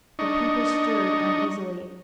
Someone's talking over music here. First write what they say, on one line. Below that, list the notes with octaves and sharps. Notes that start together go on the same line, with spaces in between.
The people stirred uneasily.
D4 D#4 D#5 C#6